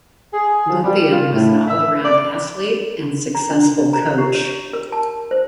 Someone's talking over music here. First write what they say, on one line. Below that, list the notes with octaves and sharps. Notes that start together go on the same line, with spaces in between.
Lupien was an all-around athlete and successful coach.
G#4
F3
G3
F4
A2
E5
D5
A#5
D4
A#5
G4
C#5
A#4
A5
C5